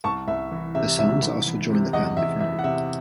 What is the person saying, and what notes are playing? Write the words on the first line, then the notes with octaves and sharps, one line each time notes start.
The sons also joined the family firm.
C2 A5 C#6
C2 E5
E3
C3 E5
C2 E5
C2
E3
C3
E2 D#5 F#5
E2 E5
E3 E5
F#5
C3 E5